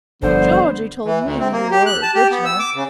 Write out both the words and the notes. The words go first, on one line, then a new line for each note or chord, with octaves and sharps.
'Georgey told me you were original.
G1 G2 D3 F3 B3 C5
E3
D2
C4
A#3
G4
F#6
A5
G4
B3
E6
D6
C#3